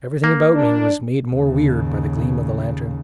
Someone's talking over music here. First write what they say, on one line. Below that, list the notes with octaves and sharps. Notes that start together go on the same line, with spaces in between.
Everything about me was made more weird by the gleam of the lantern.
A#3
D4
D#2 C#3